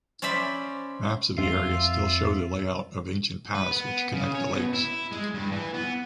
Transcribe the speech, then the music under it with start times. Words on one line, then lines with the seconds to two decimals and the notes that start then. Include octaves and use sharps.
Maps of the area still show the layout of ancient paths which connect the lakes.
0.22 C#4 C5 D5 E5 B5
1.38 F2 F3 F4 E5
3.55 B4
3.71 B3
4.13 C#3
4.35 C#5
4.52 B2
4.73 E4
5.12 G#3
5.34 G2
5.51 E3
5.74 B3